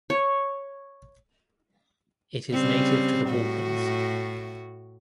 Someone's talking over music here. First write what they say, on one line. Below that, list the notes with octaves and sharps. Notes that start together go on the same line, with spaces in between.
It is native to the Balkans.
C#5
C#3 G3 C4
A2 F#4